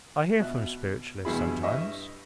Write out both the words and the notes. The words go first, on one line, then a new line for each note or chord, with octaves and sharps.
I hear from spiritualists sometimes.
B2 E5 F#6
E2 G2 B2 E4 G#4 B5
G2 D#5 E5 C#6